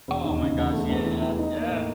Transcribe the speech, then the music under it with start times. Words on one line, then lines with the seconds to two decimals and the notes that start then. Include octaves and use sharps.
Oh my gosh, yeah, yeah.
0.08 E1
0.24 D#2
0.41 C#3
0.57 E1
0.73 A3
0.89 E2
1.05 E3
1.21 E3
1.38 D#4
1.54 A#3
1.70 A2